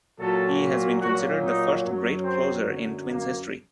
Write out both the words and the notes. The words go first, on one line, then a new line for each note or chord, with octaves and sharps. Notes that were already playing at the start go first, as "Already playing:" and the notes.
He has been considered the first great closer in Twins history.
A#2 F#3 A4
A#2 F#3 F#4
D#4
F#2 F#3
C4
F#2 D3 F#3
A#3